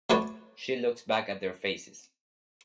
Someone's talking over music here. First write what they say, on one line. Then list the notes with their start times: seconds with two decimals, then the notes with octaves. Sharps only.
She looks back at their faces.
0.10 F#3 A3 B4 C#5 D5